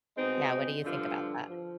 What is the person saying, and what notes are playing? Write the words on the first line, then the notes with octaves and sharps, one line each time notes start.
Yeah, what do you think about that?
B2 G#3 C4 D#4
G2 D3 F3
F3